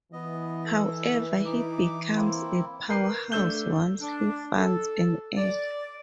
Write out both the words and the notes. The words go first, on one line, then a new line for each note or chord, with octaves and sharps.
However, he becomes a powerhouse once he finds an egg.
E3 B3 D#5
A4
D#4 D6
A#3 C4 E4
A#4 B4 G6 C7
A3 D4 E6 G6 G7
D4
A4
D5